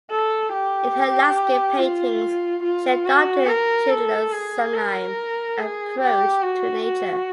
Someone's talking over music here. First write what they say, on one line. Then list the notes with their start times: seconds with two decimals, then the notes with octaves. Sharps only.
In her landscape paintings she adopted Schindler's sublime approach to nature.
0.11 A4
0.53 G4
1.78 F4
2.63 F4
3.06 F#4
3.47 A#4
3.90 A4
4.32 G#4
4.75 A#4
5.59 G#4
6.00 G4
6.43 F#4
6.85 F#4